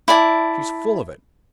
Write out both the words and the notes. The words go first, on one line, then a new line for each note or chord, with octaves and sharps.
She's full of it.
E4 D5 A5